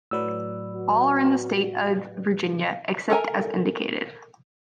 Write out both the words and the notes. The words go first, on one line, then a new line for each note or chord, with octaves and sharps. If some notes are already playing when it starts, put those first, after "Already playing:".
All are in the state of Virginia, except as indicated.
A2 F#3 B4 D5 E6
F#4
A4 A#4 G#5 A#5